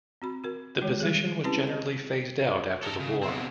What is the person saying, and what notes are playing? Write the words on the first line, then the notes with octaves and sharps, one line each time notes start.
The position was generally phased out after the war.
C4 F#4 B5
F#4 A#4
D#3 G#3 C#5
G3 G#4
C4 C#4 E4 G4 B4 A5
D#5
A4 A#4
C#3
B2 C4